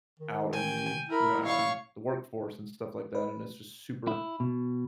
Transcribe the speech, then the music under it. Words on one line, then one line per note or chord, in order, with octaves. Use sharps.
out in the, you know, out in the workforce and stuff like that, and it's just super
D#3
G5 G#5
E4 A#4 B5
C#5 F5 C#6
B4
E4
B2